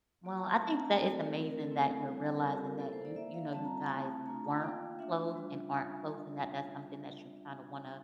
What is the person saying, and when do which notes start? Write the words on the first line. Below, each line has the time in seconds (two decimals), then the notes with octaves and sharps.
Well, I think that it's amazing that you're realizing that you you know, you guys weren't close and aren't close, and that that's something that you kinda wanna
0.25 A#3 F4
0.38 A5
0.50 A5
0.61 A3 C4 E4 A5
0.74 A#5
0.85 A5
0.98 A3 C4 F4 D5
1.12 A4
1.22 A#4
1.34 A3 C4 E4 A#4
1.47 A#4
1.58 A4
1.71 A3 C4 E4
2.07 G3 C4 E4
2.35 A#4
2.43 G3 C4 F4 A4
2.55 G4
2.68 A#4
2.80 A#3 E4 A4
2.93 C5
3.05 D5
3.16 A#3 E4 E5
3.34 F5
3.53 G3 C4 F4 A5
3.65 A#5
3.77 A5
3.89 A3 C4 E4 A5
4.26 A3 D4 F4 A#5
4.44 A5
4.56 F5
4.62 A#3 F4 G5
4.99 A3 D4 F4 E5
5.36 G3 D4 F4